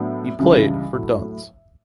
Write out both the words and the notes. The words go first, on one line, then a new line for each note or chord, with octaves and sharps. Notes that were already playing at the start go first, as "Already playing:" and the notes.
He played for Duns.
Already playing: A2 F#3 B3 D4
C#2 C#3 E3 G3 D4
A2 F#3 A3 E4